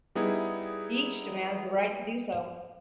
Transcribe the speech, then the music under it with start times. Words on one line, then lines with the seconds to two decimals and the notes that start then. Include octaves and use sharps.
Each demands the right to do so.
0.15 G3 B3 D#4 E4 G#4